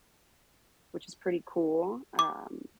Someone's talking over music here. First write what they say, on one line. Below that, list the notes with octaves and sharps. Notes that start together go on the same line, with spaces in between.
which is pretty cool. Um,
D6